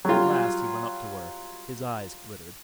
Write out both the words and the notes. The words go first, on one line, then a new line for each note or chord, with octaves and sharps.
At last he went up to her; his eyes glittered.
F#3 G3 F4